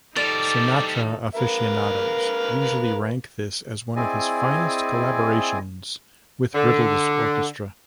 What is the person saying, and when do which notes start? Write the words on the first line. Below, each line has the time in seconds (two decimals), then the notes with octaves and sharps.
Sinatra aficionados usually rank this as one of his finest collaborations with Riddle's orchestra.
0.16 F3 G3 D#4 A4 D5
1.35 A#4 B4 F5
3.96 C4 E4 G#4 D5 D#5 G#5
6.54 D3